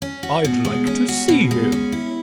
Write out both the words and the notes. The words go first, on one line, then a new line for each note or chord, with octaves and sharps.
"I'd like to see him."
C#4
F#4
B2
G#3
C#4
F#4
B2
G#3
C#4
E4